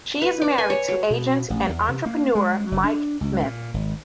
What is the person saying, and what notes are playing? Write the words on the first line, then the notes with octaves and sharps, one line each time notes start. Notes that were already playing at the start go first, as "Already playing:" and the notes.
She is married to agent and entrepreneur Mike Smith.
B4
D5
G#5
C#5
F#3
B2
A1
E2
C3
A#3
G#3
F#1
D4
C#2
A#2
G#1